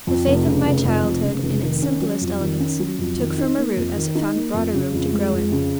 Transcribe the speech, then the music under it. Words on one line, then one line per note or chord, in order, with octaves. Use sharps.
The faith of my childhood, in its simplest elements, took firmer root as it found broader room to grow in.
F2
F1
C#3
F1
F2
F1
C#3
F1
D#3
C#4
F#3
F2
D#3
C#4
F#3
F2
D#3
D#4
A#3
F2
D#3
D#4
A#3
F2
C#3
F2
G#3
F2
C#3